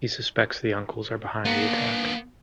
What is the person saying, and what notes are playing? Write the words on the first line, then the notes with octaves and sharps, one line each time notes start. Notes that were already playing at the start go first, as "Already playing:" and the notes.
He suspects the uncles are behind the attack.
A#3 B3 D4